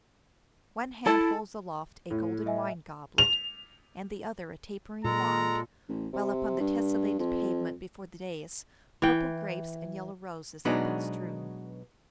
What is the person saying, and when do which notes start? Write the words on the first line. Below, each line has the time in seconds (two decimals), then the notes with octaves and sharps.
One hand holds aloft a golden wine-goblet, and the other a tapering wand, while upon the tesselated pavement before the dais purple grapes and yellow roses have been strewn.
1.06 E4 A4 A5
2.10 A2
2.46 D#5 E5 G#5
3.18 F7
5.04 A#2 G#3 A4 A#5
5.89 A1
6.13 C3
6.60 G2
7.19 F2
9.02 E3 G5
10.65 B2 F#3 G#3 B3 D4 D#4